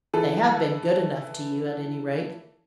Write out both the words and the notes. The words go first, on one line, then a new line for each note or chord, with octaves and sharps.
'They have been good enough to you, at any rate.
E3 A4